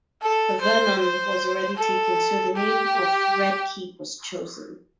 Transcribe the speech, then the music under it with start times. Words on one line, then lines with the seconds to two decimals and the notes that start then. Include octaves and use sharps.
Vernon was already taken, so the name of Redkey was chosen.
0.22 A4
0.61 C5
1.00 C5
1.77 A4
2.55 G4